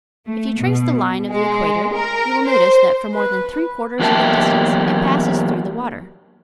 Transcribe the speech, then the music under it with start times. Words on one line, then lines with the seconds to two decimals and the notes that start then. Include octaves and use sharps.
If you trace the line of the equator you will notice that for more than three-quarters of the distance it passes through the water.
0.26 A3
0.58 B2
1.28 G#3
1.93 A#4
2.47 C5
3.15 B4
4.00 E2 F#3 A#3 G4 E5 A5